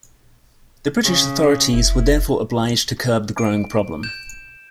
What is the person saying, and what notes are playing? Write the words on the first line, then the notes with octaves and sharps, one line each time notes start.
The British authorities were therefore obliged to curb the growing problem.
C#3
F1 E4
D7
G6 E7